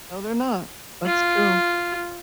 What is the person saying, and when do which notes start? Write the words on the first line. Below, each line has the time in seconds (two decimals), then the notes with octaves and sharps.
No, they're not. That's true.
1.06 F4